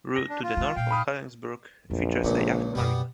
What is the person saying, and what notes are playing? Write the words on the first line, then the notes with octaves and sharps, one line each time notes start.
Rhu, to the north of Helensburgh, features a yacht marina.
A#6
D4
F4
D#3 G#3
A#2 F5 G5
B5 D#6 F6
A#1 F2 F#3
C#2 A#2 D#4
F#2 B2 G3 B3